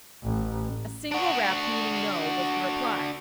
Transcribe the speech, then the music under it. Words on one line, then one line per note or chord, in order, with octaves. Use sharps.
A single rap, meaning "No," was the reply.
A1
D4 F#4